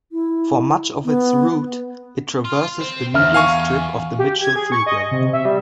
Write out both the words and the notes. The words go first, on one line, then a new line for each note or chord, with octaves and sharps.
For much of its route, it traverses the median strip of the Mitchell Freeway.
E4
B3
F4
C4
E2 E5 F6
F5 G#5 C#6
G4
G#6
G#4
C#6
D#5
C3
E5
G3